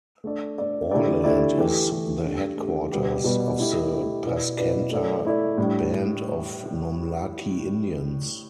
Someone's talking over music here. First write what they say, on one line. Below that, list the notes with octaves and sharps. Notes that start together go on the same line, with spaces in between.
Orland is the headquarters of the Paskenta Band of Nomlaki Indians.
A3 D4 A4 D5
A3 D4 A4 D5
D3 A3 E4 G4 D5
D3 A3 E4 G4 D5
E3 A3 G4
E3 A3 G4
A3 D4 G4
A3 D4 G4
B2 G3 B3 G4
B2 G3 B3 G4
A3 E4 G4
A3 E4 G4
B2 B3 E4 B4 D5
B2 B3 E4 B4 D5
A3 E4 A4 D5
A3 E4 A4 D5
A2 G3 D4 G4